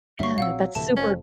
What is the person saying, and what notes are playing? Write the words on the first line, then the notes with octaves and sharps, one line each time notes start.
Yeah, that's super
G1 G2 F#3 G3 E5 C#6
A#1 A#2 C4 F5 F#5 E6
D1 C3 E3 A3 A5
F1 F2 C#4